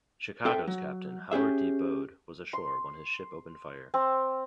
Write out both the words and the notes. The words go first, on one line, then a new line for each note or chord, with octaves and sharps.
"Chicago's" captain, Howard D. Bode, was ashore when his ship opened fire.
C4 A4 E5 G5
F#3
C#4 G4 G#4 E5
C6
C4